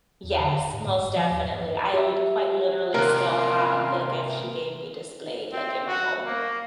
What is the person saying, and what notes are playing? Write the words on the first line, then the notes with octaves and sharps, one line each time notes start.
Yes, most definitely. I l quite literally still have the gift she gave me displayed, like, in my home.
E2
D3
F#1
G#2
G2
F#1
F3
D#2
G2
G4 E5
C3 A#3 F4 A#4 F#6
C4
F#4
A#3